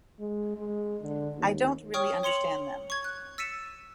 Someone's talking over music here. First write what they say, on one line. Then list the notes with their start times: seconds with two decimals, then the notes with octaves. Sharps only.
I don't really understand them.
0.19 G#3
0.57 G#3
1.01 D3
1.38 D#2
1.94 C#5 G5 C#6 D#6 F6
2.23 C#5 C6 C#7 F7 F#7
2.90 C#6 G#6
3.04 F#6
3.38 E6 A6 B6 C#7 D#7 E7